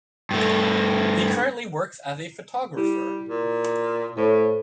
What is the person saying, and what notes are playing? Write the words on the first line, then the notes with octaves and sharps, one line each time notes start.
He currently works as a photographer.
G2 A3
G3 E4
A#2
A2 A4 C5 C#5